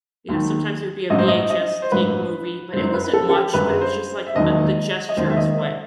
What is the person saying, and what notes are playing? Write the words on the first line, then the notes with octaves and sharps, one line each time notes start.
you know, sometimes it would be a VHS tape movie, but it wasn't much, but it was just, like, uh, the gestures what
D#2 D#3 F#3
A1 G2 F#3 D#5
C5
D#5
D#5
C5
A1 G2 F#3 B4
G1 F#2 F#3 C5
C5
B4
B4
A4
A4
G4
G1 F#2 F#3 B4
C5
E5
E1 D#2 D#3 F#3 D#5
D#5
E1 D#2 D#3 F#3 C5
E5
D#5
E5